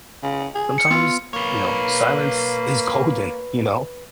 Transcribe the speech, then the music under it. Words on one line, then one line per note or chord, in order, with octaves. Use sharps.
sometimes, you know, silence is golden, you know?
C#3
G#4
C#7
B3 F4
A#3 B4 C#5